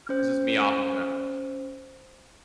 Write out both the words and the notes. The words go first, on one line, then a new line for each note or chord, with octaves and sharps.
pisses me off in general, so
C#4 C5